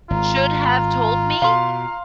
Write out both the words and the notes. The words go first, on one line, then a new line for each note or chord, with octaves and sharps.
should have told me?"
G#1 F4 A#5
B2 F5 C6